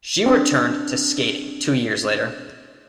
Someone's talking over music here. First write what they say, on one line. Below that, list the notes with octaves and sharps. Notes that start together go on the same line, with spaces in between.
She returned to skating two years later.
C4 D4